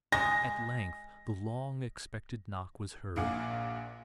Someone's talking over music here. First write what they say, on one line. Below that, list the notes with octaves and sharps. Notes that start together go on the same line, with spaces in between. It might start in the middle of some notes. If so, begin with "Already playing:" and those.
At length the long-expected knock was heard.
G#3 A#6
A#1 A#2 F5 F#5 G#5 D6